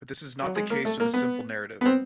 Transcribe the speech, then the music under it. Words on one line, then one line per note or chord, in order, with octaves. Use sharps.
But this is not the case with a simple narrative.
F#3
G#3
A#3
A3
A#3
B3
B3
C4